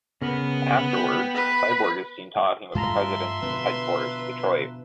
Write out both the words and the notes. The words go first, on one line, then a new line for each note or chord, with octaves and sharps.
Afterwards, Cyborg is seen talking with the President in his headquarters in Detroit.
C#3 B3 A#4 B5
G5
B4
G2 G3 A3 F4 E5 A5 A#5 C6
B2 D3 F3 B4